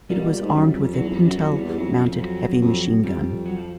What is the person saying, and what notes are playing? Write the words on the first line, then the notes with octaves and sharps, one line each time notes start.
It was armed with a pintle-mounted heavy machine gun.
A#2 G3
B2
A#2
G#2
F#2
F2
E2 F#3
F2 F#3
G3
F#2 F#3
F2 F#3
E2
G3
E2
F2 F#3
F#2
F2 F3
F#3
F2
F2 G3
F#3
F3